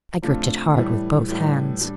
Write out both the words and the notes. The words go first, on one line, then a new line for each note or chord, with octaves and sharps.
I gripped it hard with both hands.
C3 F3 A3 D4 F4
A2 E3 G3
A2 E3 G3
G3 D4